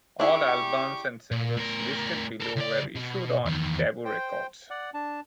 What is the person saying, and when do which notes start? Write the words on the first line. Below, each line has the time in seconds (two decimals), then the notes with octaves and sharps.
All albums and singles listed below were issued on Tabu Records.
0.20 D4 E4 G4 G#4 C#6 D6
1.31 A#2
1.57 A2 A#4
2.40 A4 A#4
2.56 C#2 D5
2.95 B2
3.46 E2 D#3
4.05 C5 G5
4.70 D5 F#5
4.94 D4 A5